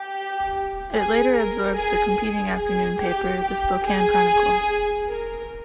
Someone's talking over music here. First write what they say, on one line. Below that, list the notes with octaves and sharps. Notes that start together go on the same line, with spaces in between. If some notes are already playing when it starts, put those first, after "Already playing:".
It later absorbed the competing afternoon paper, the Spokane Chronicle.
Already playing: G4
G#4
A#4
G#4
G#4
G#4
G4
G4
G#4
A#4